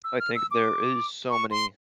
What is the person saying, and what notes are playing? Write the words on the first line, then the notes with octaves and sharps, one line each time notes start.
I think there is so many
E6
F6
E6
D6
C#6
C6